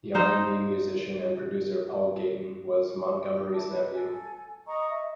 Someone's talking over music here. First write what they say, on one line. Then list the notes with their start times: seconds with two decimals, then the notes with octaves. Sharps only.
The R and B musician and producer Paul Gayten was Montgomery's nephew.
0.14 D#4 C5 F5
3.53 E4 A5 D6
3.71 B4
3.94 A4 G#5
4.66 D#5 A#5 C#6 D#6
4.89 D#5 E5